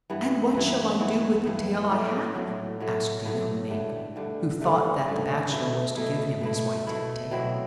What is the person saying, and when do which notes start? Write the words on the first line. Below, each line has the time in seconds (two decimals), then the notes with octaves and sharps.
"And what shall I do with the tail I have?" asked the young Mink, who thought that the Bachelor was to give him his white-tipped tail.
0.10 G2 E3 B3
0.55 G2 E3 B3
1.00 G2 E3 B3
1.46 G2 E3 B3
1.90 A2 F#3 A3
2.35 A2 F#3 A3
2.80 A2 F#3 A3
3.25 A2 F#3 A3
3.70 G2 D3 A3
4.16 G2 D3 A3
4.61 G2 D3 A3
5.06 G2 D3 A3
5.51 B2 A3 E4
5.96 B2 A3 E4
6.41 B2 A3 E4
6.87 B2 A3 E4
7.31 B2 F#3 C4 E4